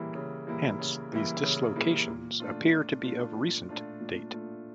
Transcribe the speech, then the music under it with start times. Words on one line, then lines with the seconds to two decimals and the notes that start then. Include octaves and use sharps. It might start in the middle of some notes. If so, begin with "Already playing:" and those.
Hence these dislocations appear to be of recent date.
Already playing: C#3 E3 G3 A#3 E4
0.15 C#3
0.47 E3 G3 A#3 E4
0.79 C#3
1.12 E3 G3 A#3 E4
1.44 C#3
1.76 E3 G3 A#3 E4
2.08 A#2
2.40 A3 D4 F4
2.72 A#2
3.04 A3 D4 F4
3.37 A#2
3.69 A3 D4 F4
4.01 A#2
4.33 A3 D4 F4